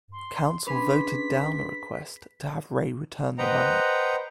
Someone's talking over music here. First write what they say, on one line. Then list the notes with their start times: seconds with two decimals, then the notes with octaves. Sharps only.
Council voted down a request to have Rae return the money.
0.12 C6
0.67 C#4 D4 G#4 B4 C6 B6
3.38 B4 C5 D#5 F#5 G5 A#5